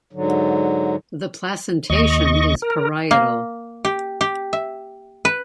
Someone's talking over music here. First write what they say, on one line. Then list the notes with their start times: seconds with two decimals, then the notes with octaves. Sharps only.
The placentation is parietal.
0.13 G#2 D3 F#3
1.90 D#2 D#5 C#6
2.62 A#4
3.11 A#3
3.85 G4
4.21 G4
4.53 E5
5.25 B4